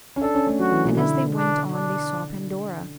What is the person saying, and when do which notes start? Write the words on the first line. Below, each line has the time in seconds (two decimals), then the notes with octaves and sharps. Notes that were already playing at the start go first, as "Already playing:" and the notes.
And as they went on they saw Pandora.
0.16 C#4
0.22 D4 A4
0.35 C#4
0.47 A3
0.59 F#3 F#4
0.72 E3
0.85 B2
0.97 D3 E4
1.35 D4
1.72 D4